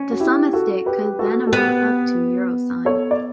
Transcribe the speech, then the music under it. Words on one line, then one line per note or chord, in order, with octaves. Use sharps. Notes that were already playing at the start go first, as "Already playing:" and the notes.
The sum at stake could then amount up to €.
Already playing: C#4
F#4
E4 G4
F#4 A4
G4 B4
F#4 A4
A4
B3 G4 B4
A4 C#5
D5